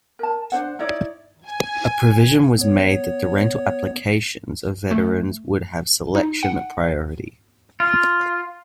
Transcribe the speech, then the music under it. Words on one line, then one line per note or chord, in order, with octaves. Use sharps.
A provision was made that the rental applications of veterans would have selection priority.
A#4 A5
D4 C5 F#5
D#4 E4 C#5 D5
G#5
B3 C#5
A3
D#4
F#5
F4